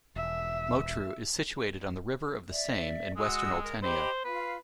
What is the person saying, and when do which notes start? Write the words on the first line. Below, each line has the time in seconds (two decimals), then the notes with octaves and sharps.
Motru is situated on the river of the same in western Oltenia.
0.16 E1 E5
2.50 D5 E5
3.16 G#3 F#4 D#6 E6
3.64 A#4
3.83 G4 C5 D#5 B5
4.25 F4 B4 F5